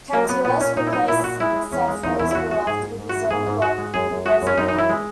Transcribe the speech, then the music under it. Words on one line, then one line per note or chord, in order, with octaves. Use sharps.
Catullus replaces Sappho's beloved with his own beloved Lesbia.
F#3 A#3
F#3 B3
A#2 B3
A#2 C#4
A#2 D#4
E4
F#3 D#4
A#2 E4
A#2 F#4
G#3 E4
G#3
E2 C#4
G#3
E2 D#4
E2 E4
E4
E2 F#4
G#3 F#4
G#2 G#4
G#2
G#2
F#4
E3
G#2 G#4
G#2
G#2 F#4
G#3
F#2 G#4
F#2
G#3 F#4
F#2
C#4
F#2 D#4
D#4
E3
E4
G#3